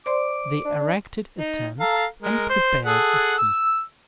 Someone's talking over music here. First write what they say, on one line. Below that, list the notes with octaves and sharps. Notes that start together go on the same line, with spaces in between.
They erected a tent and prepared a feast.
C5 D5 C6 D6
D4
D#4
A4 F5 A#5
G#3 A#4
C5
G#4 A4 F#5
E6